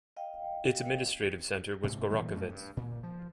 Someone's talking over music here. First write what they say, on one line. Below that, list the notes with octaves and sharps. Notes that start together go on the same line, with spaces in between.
Its administrative centre was Gorokhovets.
D#5 F5 G5
G#2 C3
A#2 E3 G3 A3
F#2 A3 C#4
G2
A#2
F3